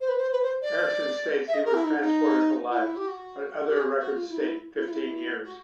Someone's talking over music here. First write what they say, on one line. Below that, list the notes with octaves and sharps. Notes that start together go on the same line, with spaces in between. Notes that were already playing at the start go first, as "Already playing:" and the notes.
Erickson states that he was transported for life, but other records state fifteen years.
C5
B4
C5
B4
C5
D5
E5
D#5
A#4
E4
D#4
D#4
F4
E4
G4
F#4
F#4
G4
G#4
F#4
F4
E4
D#4
E4
E4
F4
E4
F#4